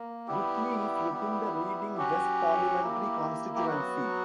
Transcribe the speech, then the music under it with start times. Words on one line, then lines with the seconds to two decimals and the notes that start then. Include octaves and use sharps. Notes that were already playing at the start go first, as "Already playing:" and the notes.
Whitley is within the Reading West parliamentary constituency.
Already playing: A#3
0.27 G3 B3 E4 G4
1.12 G3 B3 E4
1.97 F#3 C#4 F#4 G4
2.83 A#3 E4
3.56 G4
3.67 F#3 B3 F#4